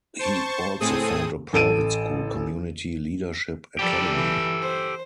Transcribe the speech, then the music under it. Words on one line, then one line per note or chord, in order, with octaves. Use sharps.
He also found a private school, Community Leadership Academy.
C5 A5 C#6
A2 C4 G#4 A4 D#6
A1 A4 D7 D#7
F3 G3 G4 A4 D5
E3
C5